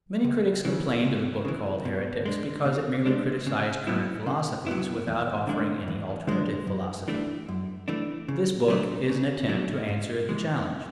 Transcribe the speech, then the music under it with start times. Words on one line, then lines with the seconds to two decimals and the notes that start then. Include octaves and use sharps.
Many critics complained of the book called "Heretics" because it merely criticised current philosophies without offering any alternative philosophy. This book is an attempt to answer the challenge.
0.24 C#2
0.65 C#3 E3
1.05 C#2
1.45 C#3 E3
1.85 B2
2.25 G#3 D4
2.66 B2
3.06 G#3 D4
3.47 C#3
3.87 F#3 B3 E4
4.26 C#3
4.67 F#3 B3 E4
5.08 E2
5.47 D3 G#3 D4
5.88 E2
6.27 D3 G#3 D4
6.67 F#2
7.08 E3 A3 D4
7.48 F#2
7.88 E3 A3 D4
8.28 C#3
8.68 F#3 A3 D4
9.09 C#3
9.49 F#3 A3 D4
9.89 G#2
10.29 E3 G#3